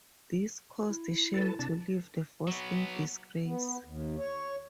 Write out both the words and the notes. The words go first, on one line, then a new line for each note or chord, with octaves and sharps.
This caused Shame to leave the force in disgrace.
E4
A4 B4 A5
C3 D4 A5
F#3 B3
B3
D#2
C#5